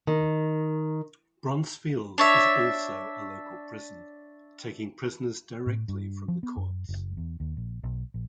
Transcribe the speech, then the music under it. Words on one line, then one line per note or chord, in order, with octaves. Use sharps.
Bronzefield is also a local prison, taking prisoners directly from the courts.
D#3
D4 C#5 E5
A2
G2
F3
B3
F#2
F#1
E2
D#2
A#1
B1
A#1